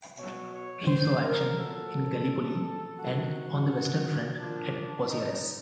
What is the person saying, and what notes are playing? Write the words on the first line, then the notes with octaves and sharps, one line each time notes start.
He saw action in Gallipoli and on the Western Front at Pozieres.
B2 F#3 C#5
C#5
C5
A#4
A#2 F#3 A4
C3 D#3 F#3 F#4
A#2 F3 D4
D#4